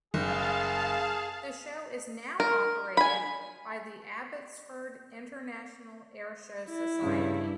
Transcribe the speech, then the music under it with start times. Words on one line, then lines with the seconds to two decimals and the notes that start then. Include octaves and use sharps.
The show is now operated by the Abbotsford International Airshow Society.
0.14 F#1 G#4 F5 A5
2.40 A#4
2.97 G#5 B5
6.69 E4
7.02 G2 C#3